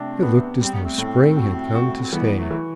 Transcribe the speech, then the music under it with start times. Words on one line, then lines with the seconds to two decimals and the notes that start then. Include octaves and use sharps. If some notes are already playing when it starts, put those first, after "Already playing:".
It looked as though spring had come to stay.
Already playing: C3 A3 C4 D4
0.23 B3
0.60 G3 C4
0.72 B3
0.84 A3 C4
0.98 A2
1.37 F#4
1.75 F#4
2.01 C4
2.12 E3 G3 B3
2.37 F#3 A3
2.51 E3